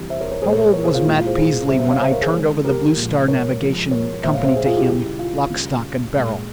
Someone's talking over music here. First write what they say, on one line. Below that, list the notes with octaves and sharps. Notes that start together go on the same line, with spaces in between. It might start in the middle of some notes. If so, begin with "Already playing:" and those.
How old was Matt Peasley when I turned over the Blue Star Navigation Company to him, lock, stock and barrel?
Already playing: C3 E3 G3
C5 E5
A#4 C#5
A#4 C#5
A#2 G#3 G#4 C5
A#4 C#5
A#4 C#5
G#4 C5
F4
A#2 G#3 E4
F4
G#4 C5
G#4 C5
C#3 G3 C5 E5
C5 E5
C#5 F5
C5 E5
A#4 C#5
G#4 C5
C#3 E3 G#3
G4 A#4
A#2 F3 G#3
A#4 C#5
C3 F3 G#3
A#4 C#5
A#2 G#3 C5 E5
C#5 F5
C5 E5
G#4 C5
F4 G#4
E4 G4
C#3 G3 E4 G4
F4
C#3 G3
A#2 G#3